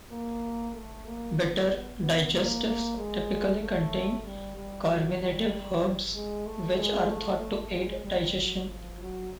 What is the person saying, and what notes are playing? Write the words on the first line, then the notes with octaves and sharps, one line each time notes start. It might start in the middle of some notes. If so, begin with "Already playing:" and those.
Bitter digestifs typically contain carminative herbs, which are thought to aid digestion.
A#3
A3
A#3
B3
B3
A#3
A#3
G#3
A3
G3
G3
F#3
G3
G#3
A3
G#3
A3
A3
G#3
G3
F#3
F3
F#3